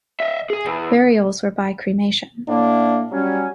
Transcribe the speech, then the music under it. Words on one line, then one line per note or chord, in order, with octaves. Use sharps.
Burials were by cremation.
D#5 E5
G#4 G#5
E2
A2 A#3 D4
F#3 G3 C#4